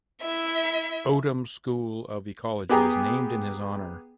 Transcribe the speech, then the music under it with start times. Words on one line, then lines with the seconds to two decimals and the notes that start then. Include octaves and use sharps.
Odum School of Ecology is named in his honor.
0.22 E4 E5
2.69 B3 G4 G#4 G5 A#5